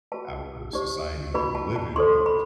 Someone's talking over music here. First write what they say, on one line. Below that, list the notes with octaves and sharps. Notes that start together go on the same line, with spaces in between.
our society that we live in, but,
F#4 B4 A5
D#4 G4 C5
D#4 F#4 B4 B5
A5
A5
D#4 A4 C5 C6
B5